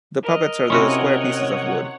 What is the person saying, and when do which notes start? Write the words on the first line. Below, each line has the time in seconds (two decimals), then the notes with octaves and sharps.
The puppets are the square pieces of wood.
0.23 A#4 D#5
0.70 C3 C#4 E4 F#4 C#5 F#5 C6